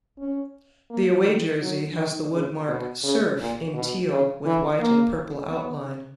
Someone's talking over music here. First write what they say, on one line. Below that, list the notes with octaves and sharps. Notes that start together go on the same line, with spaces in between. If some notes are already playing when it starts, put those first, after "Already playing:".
The away jersey has the wordmark "Surf" in teal with white and purple outline.
C#4
A#3
D#3
F#3
D#3
C#3
B2
C#3
A#2
B2
C#3
E3
A#3
B3